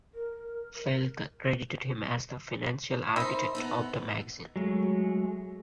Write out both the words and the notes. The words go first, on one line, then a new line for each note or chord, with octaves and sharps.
Felker credited him as the "financial architect" of the magazine.
A#4
D#4 C5 D#5 E5 B5
B3 D#4 A4
F#3 G#3 A3